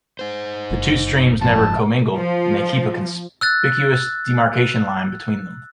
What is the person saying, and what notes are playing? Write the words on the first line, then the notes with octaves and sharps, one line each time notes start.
The two streams never commingle, and they keep a conspicuous demarcation line between them.
D#4 C5
F#1
G#2 F3 A5
F3
E6 F#6 A6